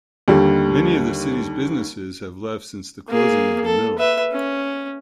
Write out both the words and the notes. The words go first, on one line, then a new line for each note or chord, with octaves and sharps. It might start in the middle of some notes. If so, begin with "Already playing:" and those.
Many of the city's businesses have left since the closing of the mill.
D#2 D3 D#3 G3
A#3 G#4
A4
B4 E5
C#4